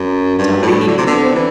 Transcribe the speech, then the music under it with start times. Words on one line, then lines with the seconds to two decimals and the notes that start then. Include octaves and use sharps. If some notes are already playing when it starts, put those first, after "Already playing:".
top of the heap for you?
Already playing: F#2
0.38 G2
0.63 A2
0.87 D3
0.97 C3
1.06 D3
1.35 E3